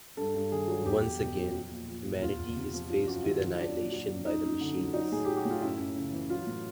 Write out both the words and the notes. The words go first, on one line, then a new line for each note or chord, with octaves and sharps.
Once again, humanity is faced with annihilation by the machines.
G2 A4
G2
D#3 G#4
F#3
E2 G4
E2
B2
F#3
F3
A#2
F3
A#2
E2 F4
E2
C3
F3
F#2 F4
F#2 F#4
F4
D#3 E4
F#3
F#3 D4
A#2
F#3
A#2
F#2 D#4
F#2
D3
F#3
F#3 D#4
A2 G#4
F#3 G4
F#4
A2
F4
F#2 E4
F#2
C#3
E3
F#3 F4
A2